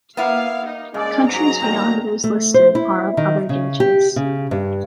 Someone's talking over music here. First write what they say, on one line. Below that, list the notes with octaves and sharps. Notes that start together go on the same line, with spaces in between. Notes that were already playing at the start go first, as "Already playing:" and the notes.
Countries beyond those listed are of other gauges.
A#3 B3 E4 F5
D#4
G2 C#3 G#3 G#4 D5
G#2 F#3 A#5
D#2 A#2 D3 G5
A3
C5
E4
D#3
C#3
G4
C#3
G2